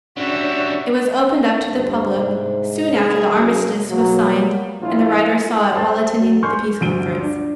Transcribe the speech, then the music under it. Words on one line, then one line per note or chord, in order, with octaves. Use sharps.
It was opened up to the public soon after the armistice was signed and the writer saw it while attending the Peace Conference.
C#3 G3 C#4 D4 F#4 E5
G1 C5
G#2 C3 D4
G#4 G#5 B5 F6
F#2
B2 F#3 A#3
A#1 E4 F4
C5 G5 A5 C6 A6
F#3
G#5 C6 C#6 F6 G6
D2 G2 F3 D7 D#7 G7
D4